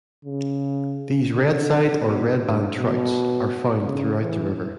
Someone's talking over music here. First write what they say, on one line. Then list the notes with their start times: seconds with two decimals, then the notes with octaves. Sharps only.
These redside or redband trouts are found throughout the river.
0.25 C#3
1.33 D3
2.05 B2
2.42 G2
2.78 B2
3.86 C#3
4.22 E3